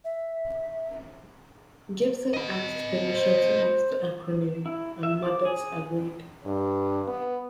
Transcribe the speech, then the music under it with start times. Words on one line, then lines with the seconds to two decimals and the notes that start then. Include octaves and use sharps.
Gibson asked permission to use the acronym, and Maddox agreed.
0.04 E5
2.34 D#5 B5
3.09 C5
4.66 E4
5.03 E5
5.22 D6
5.45 G#4
6.46 G2
7.07 B3